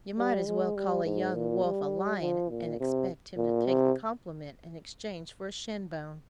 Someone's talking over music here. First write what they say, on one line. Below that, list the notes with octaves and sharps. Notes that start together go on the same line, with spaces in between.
You might as well call a young wolf a lion and expect him to take the compliment in exchange for a shin-bone.
G3
G#3
G3
G#2
A#2
G3
F3
A#2
C3
A#2
C3